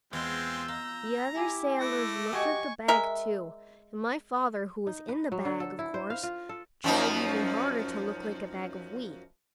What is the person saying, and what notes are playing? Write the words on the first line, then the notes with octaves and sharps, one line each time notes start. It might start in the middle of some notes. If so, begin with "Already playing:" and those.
The other sailors looked at the bag too, and my father, who was in the bag, of course, tried even harder to look like a bag of wheat.
E2 G#3 C4 F4 E6 G6
F4 A#5
E4 G4 G#5
A3 E4 D6 A#6
F#4 G4 D#5 G#5 C#6
G#3 A#4 E5
D#4
B4
F#3
D3
A4
E4
C5
F5
F4
A4
F#2 F3 D#4